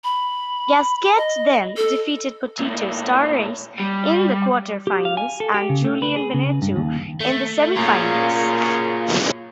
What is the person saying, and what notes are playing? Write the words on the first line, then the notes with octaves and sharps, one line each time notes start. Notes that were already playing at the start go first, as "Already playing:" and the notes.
Gasquet then defeated Potito Starace in the quarterfinals and Julien Benneteau in the semifinals.
B5
D#5
A4
A#2 A3
G3
G4
F5
G#5
A4
G4
C#3
A3
B4
G#4
C#3
G2
D#2
A3
F#2 C#3 A#3 F4